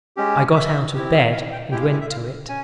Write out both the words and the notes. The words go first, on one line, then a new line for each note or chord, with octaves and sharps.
I got out of bed and went to it.
G#3 C#4 G4
E5
C4 E4 G4
F5
G5
G#3 E4 G4 G5
F5
E5
E5
F5
C#4 G#5